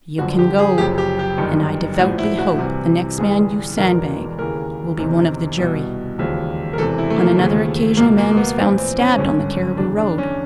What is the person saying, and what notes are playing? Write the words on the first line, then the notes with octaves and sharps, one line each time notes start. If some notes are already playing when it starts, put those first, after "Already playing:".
You can go, and I devoutly hope the next man you sandbag will be one of the jury.' On another occasion a man was found stabbed on the Cariboo Road.
G1 F#2 D3 F3 F#4
G4
G#4
F#1 F#2 C#3 F3 G4
G4
G4
G1 F#2 D#3
A#1 A2 F3 F#4
E4
F#4
C2 C3 E3
G1 G2 E3 G#4
E1 E2 B2 A#4
D#2 C#3 E3 A#4
E2 C3 D#3
C2 B2
E1 D#2 C#3 F3
A#4
E1 E2 C3 E3 A4
E4
A3
A#3
D#2 C#3 F3 A3
C#2 B2 A#3
A#3
B3
A#1 A2 E3 C4
C4
C#4
G#1 G2 D3 C#4
F1 E2 C#3 D4
D4
C#4